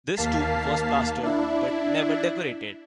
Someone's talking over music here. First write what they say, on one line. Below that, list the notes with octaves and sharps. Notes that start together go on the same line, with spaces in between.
This tomb was plastered, but never decorated.
D#2 A#3 F5 A5 B6 C7
D4 E4